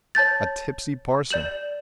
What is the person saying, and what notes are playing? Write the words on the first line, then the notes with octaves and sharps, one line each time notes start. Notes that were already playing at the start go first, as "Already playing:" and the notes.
"A tipsy parson."
C#5 A5 G6 A6
D5 G6 E7 F#7